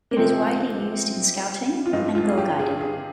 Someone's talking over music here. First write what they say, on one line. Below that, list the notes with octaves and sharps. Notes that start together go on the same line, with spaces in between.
It is widely used in Scouting and Girl Guiding.
A#3
C3 F3 G#3 C4
F4
G2 F3 G#3 D#4
F4
G#4
G4
G#4
G#4